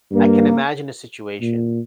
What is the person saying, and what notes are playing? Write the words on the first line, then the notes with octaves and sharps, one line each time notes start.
I can imagine a situation
G2 A#3
A#2